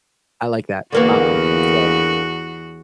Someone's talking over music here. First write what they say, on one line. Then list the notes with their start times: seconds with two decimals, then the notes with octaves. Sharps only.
I like that, um, and, so,
0.92 E2 D3 A#3 B3 F#4